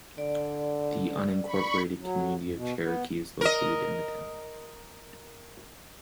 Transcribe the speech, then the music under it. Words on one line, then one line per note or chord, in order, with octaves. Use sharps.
The unincorporated community of Cherokee is located in the town.
D3 D5
B5 C#6
F#3
F2
B2
B3
A#4 D#5